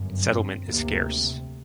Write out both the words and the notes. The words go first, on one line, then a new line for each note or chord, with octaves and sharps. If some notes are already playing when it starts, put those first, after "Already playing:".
Settlement is scarce.
Already playing: G1 F#2
C4
D2 C3 A#3